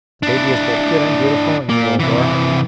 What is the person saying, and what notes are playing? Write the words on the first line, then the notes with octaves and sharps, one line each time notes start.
The baby is both good and beautiful, and you will adore her.
D4 E4
A#2 A#3
C3 E3